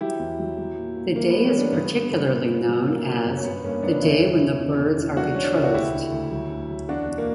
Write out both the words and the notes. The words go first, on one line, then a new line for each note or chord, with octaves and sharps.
The day is particularly known as "the day when the birds are betrothed".
F#3 E4 G4
E2
F#3
F#3
A#2
A#2
E3 A#3
B3
G3
A#3 C#4
G3 B3 D4
G2 B3
D3
G2
A#2
A#2
F#3
F#3 A#3
F#3
F#2
C#4
G2 B3
G2 A#3 C#4
G2 B3 D4
E2 C#4 E4
C#3
E2
B2
B2
E2
F#3 D4 F#4
F#3 C#4
D4
C#2 E4
F#4
D2 E4 G4
D3
D2
F#3
D2
F#3
E2 D4 F#4
B2
A#3